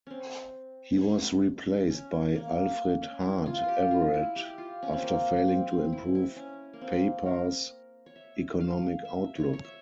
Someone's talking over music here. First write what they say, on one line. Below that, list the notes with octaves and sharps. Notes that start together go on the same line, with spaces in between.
He was replaced by Alfred Hart Everett after failing to improve Papar's economic outlook.
C4 C#4
C#4
A#3
C#4
E4
F4
F4 G4
F4
E4
G4
F4
C#4
C4
A#3
C4
C4
E4
E4
C#4
A#3
C4
A#4
C#5
E5
F5
E5
C#5
C#5
E5